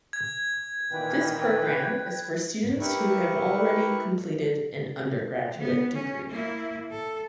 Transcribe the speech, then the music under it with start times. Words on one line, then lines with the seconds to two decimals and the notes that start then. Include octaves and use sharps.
This program is for students who have already completed an undergraduate degree.
0.13 G#6
0.91 A#2 D#3 E3 B4 G5
2.80 E4 G4 A#4 B4 C#6
5.60 B3
5.94 C#4
6.29 A#3 E4
6.91 A4